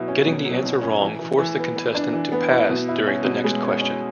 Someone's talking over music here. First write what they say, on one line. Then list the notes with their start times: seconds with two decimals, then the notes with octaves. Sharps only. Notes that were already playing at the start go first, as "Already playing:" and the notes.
Getting the answer wrong forced the contestant to pass during the next question.
Already playing: B2 F#3 E4
0.08 C#4
0.27 B2
0.45 F#3
0.63 B2
0.82 C#4
1.01 E3
1.19 E3
1.38 E3
1.58 B3
1.76 B3
1.95 D4
2.13 E3
2.32 B3
2.51 E4
2.69 B2
2.88 E4
3.07 C#4
3.25 B2
3.44 G#3
3.63 C#4
3.81 C#4